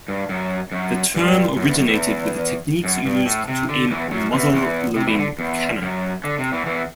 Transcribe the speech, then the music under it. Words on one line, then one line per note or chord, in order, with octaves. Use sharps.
The term originated with the techniques used to aim muzzle-loading cannon.
G2
F#2
F#2
G2
F#2
E2
F#2
E2
F#2
G2
A2
C3
D3
E2 E3
F#2 F#3
E2 E3
E2 E3
C3
E2 E3
D3
E2
F#2
D3
C3
E2 E3
E2 E3